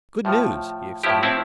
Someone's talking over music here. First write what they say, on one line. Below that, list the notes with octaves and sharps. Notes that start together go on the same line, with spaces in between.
"Good news!" he exclaimed.
A2 F3
A2 F3 E4 G4
C4 E4